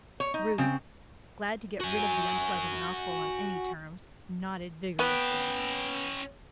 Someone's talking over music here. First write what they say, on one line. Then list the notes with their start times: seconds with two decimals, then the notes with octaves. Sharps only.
Ruth, glad to get rid of the unpleasant mouthful on any terms, nodded vigorously.
0.20 C#5
0.34 D#4
0.58 C#3 C4
1.80 F#4 G#5
4.99 B3 C#4 G5